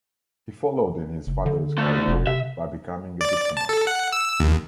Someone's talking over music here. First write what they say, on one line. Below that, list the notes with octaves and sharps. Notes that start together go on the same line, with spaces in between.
He followed in his father's career by becoming a diplomat.
F#1
D3
D2 A3
F1
C3 E5
D5
A5
A4
F#5
E6
D#2